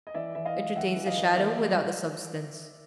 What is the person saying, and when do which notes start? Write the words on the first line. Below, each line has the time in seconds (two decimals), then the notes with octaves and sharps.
It retains the shadow without the substance.
0.07 D#5
0.14 E3 D5 E5
0.35 E3 E5
0.45 D#5 F5
0.55 G#3
0.76 E3 E5 F#5
0.96 E3
1.06 D#5 F5
1.17 E3
1.36 A#3 D5 E5
1.57 G3